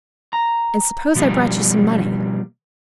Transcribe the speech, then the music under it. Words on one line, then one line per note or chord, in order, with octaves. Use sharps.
"And suppose I brought you some money?"
A#5
B2 F3 G3 A#3